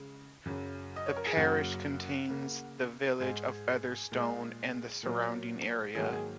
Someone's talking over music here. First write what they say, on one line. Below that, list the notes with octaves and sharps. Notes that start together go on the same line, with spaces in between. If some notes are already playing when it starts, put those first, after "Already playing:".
The parish contains the village of Featherstone and the surrounding area.
Already playing: C#3 G#3
F#2 C#3 F#3
D#5
C#5
A#4
G#4
F#2 C#3 F#3 A#3 F#4
C#3 A#3
G#2 G#3 G#4
A#2 G#3
A#2 F#3 A#3
G#2 D#3 F#3 A#3 G#4
F#4
G#4